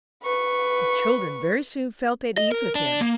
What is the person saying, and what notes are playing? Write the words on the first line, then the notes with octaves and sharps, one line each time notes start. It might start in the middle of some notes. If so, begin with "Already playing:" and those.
The children very soon felt at ease with him.
B4 C#6
D#5
A#4
D4
A#3